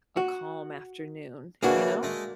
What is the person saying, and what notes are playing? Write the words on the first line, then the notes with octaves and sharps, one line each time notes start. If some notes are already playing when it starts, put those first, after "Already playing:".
a calm afternoon, you know?
F#4
C#3 E3 A#3 D4 F#4 G#4
G#3 A3